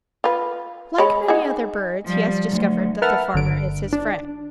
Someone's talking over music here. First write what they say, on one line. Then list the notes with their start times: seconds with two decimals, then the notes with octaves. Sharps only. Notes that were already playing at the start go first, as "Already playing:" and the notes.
Like many other birds, he has discovered that the farmer is his friend.
0.24 F4 B4
0.98 G#3 C#5 B5
1.28 D#4 F#4 G#4
2.05 F3 G3
2.46 D2 F#3
3.02 A#4 B4 E5 F#5 A5 F6
3.34 G1 D3 D7
3.93 D4